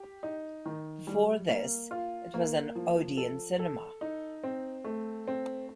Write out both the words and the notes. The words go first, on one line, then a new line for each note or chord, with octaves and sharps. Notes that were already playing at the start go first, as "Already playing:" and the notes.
Before this, it was an Odeon cinema.
Already playing: G4
D#4
D#3
G3
A#3
F4
A#3
F3
A4
A4
D#4
C4
A3
C4